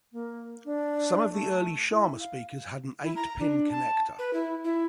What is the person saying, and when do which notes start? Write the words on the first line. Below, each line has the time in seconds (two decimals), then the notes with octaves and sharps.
Some of the early Sharma speakers had an eight pin connector.
0.12 A#3
0.65 D4
1.32 A3
1.91 E4
2.20 F5
3.04 E4
3.16 A#5
3.39 D4
3.71 A5
4.19 B4
4.33 E4
4.64 E4